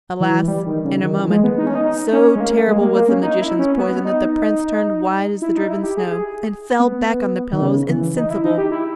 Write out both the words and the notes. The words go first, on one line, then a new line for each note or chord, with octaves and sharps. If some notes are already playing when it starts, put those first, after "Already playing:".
Alas, in a moment, so terrible was the magician's poison that the Prince turned white as the driven snow, and fell back on the pillows insensible.
E3
E3
G3
D#3
C#3
D#3
E3
G#3
B3
D#4
C#4
D#4
D#4
C#4
G#3
A#3
G#3
A#3
A#3
C#4
D#4
E4
C#4
B3
D#4
E4
D#4
E4
G4
G#4
B3
D#3
C#3
E3
D#4
E4
D#4
G4
E4